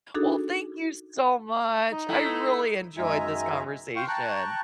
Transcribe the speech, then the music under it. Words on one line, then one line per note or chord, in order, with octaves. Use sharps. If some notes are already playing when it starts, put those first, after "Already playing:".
Well, thank you so much. I really enjoyed this conversation.
D4 D#4 F#4 G#4 A4
D#4
A3 E4
F#2 D#3 G#3 E5 G#5 A#5
F5 G5 C6 C#6
G5 A5 A#5 C#6 F#6